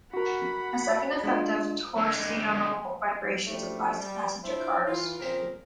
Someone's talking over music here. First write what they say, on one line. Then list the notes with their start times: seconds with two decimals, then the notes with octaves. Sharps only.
A second effect of torsional vibrations applies to passenger cars.
0.14 F#4 A#4 F#5 B5
1.24 G#3 D4 F4
1.97 D3 G#3
3.47 F#2 F3 G3 A3 D4
3.98 G3
4.43 D4 E4 F4 C5 E5
4.86 E3 F4
5.19 A#2 C#3 F3 C4 G#4 A#4